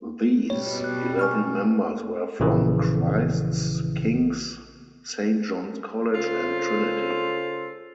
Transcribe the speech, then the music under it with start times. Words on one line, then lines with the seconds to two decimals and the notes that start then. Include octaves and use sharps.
These eleven members were from Christ's, King's, Saint Johns College and Trinity.
0.50 B2 G3 C#5
0.84 F#6
1.19 G#5 C#6 F6
2.40 A#1 C#3 E3
6.14 C#3 F4 A4 C5